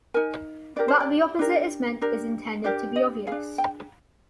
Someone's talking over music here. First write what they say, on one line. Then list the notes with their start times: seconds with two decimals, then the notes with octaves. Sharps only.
That the opposite is meant is intended to be obvious.
0.14 D#4 A#4 G#5
0.76 D4 G4 A#4 D5
0.88 C5
1.00 D5
1.39 D4 G4 A#4
2.01 D4 G4 A#4
2.64 D4 G4 A#4 D5
2.96 D#5
3.27 G#4 F5
3.32 D4
3.58 G5